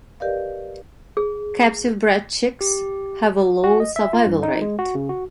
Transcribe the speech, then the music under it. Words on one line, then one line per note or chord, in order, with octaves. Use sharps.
Captive-bred chicks have a low survival rate.
G4 A#4 B4 D5 D#5 F5
G#4
G4
F#4
D#5
E5
F4
G2
D#4
G#3
F#4
C#3
F#4